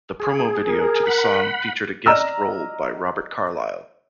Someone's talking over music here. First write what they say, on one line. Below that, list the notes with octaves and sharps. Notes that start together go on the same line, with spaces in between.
The promo video to the song featured a guest role by Robert Carlyle.
G#4
A#4
F#5 B5
D5 D#5 A#5 E6 F6